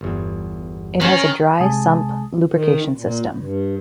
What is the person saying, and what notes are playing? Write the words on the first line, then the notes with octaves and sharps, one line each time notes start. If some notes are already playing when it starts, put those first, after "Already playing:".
It has a dry sump lubrication system.
G1 E2
D#3 C#4
C2 C3 G#3 G#5 A5 D#6
D#3
A#2
G2